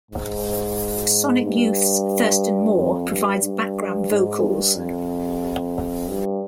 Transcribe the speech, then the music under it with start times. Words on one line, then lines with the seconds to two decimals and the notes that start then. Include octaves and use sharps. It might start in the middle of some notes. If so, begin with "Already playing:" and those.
Sonic Youth's Thurston Moore provides background vocals.
0.11 G#2
1.44 G2
2.76 F2
3.09 G2
3.43 G2
4.10 G#2
4.42 G2
4.75 F2
6.08 G2